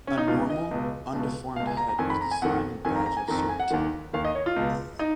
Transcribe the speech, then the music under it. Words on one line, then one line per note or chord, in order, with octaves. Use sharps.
A normal, undeformed head was the sign and badge of servitude.
C#4
D#4
C#2 B2 F4
D#5
C#2 B2
C#2 B2
C#2 B2 F5
G#5
A#5
A#5
F2 D#3 G#5
B5
A#5
G#5
F2 D#3 F#5
F2 D#3 G#5
A#5
A#5
G#5
F2 D#3 A#5
A#5
G#5
F#5
D#2 D#3
D#2 D#3 F5
D#5
C#5
F4
C#2 B2
D#4